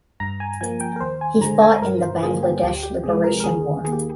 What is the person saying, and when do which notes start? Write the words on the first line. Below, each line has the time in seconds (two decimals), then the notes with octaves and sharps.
He fought in the Bangladesh Liberation war.
0.20 G2 A#5
0.40 G#5
0.61 F3 A#3 G#5
0.81 G5
0.96 A#4
1.00 D#2 C5
1.21 G#5
1.41 D3 G#3 A#5
1.62 G#5
1.82 G2 A#4
2.02 C5
2.22 D3 G3 A#3 G#4
2.43 G4
2.63 D2 G4
2.83 G4
3.03 C3 F3 G#3 G#4
3.24 A#4
3.40 A#4
3.44 D#2 G#4
3.84 D#3 G#4
3.87 A#3 G4